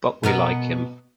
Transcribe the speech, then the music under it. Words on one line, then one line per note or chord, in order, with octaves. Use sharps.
But we like him.
B2 B3 A#4